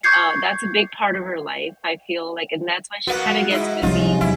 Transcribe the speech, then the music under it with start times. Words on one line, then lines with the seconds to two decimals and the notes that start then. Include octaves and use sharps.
uh, that's a big part of her life, I feel like and that's why she kinda gets busy
0.03 C#6 D6 G6 G#6 C7 C#7
3.07 A#3 B3 F#4 F#5
3.26 G#3 G#4
3.50 D#4 E4
3.82 C3 F3 G3 C#4 D#4 F4
4.21 E2 F#3 E4